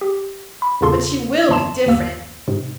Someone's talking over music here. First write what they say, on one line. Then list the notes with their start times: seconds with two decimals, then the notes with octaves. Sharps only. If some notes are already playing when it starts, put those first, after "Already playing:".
But she will be different.
0.01 G4
0.62 B5
0.81 E2 A#2 C#3 F4 A4 C6
1.49 G1 F2 A5 C6 E7
1.86 G1 D#2 A#3 E6
2.48 G#2 C3